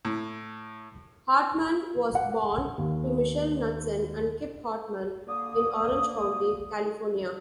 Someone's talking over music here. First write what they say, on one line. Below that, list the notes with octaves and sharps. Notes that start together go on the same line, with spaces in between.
Hartman was born to Michele Knutsen and Kip Hartman in Orange County, California.
A2
F#5
D#2
D3 A#3 D#6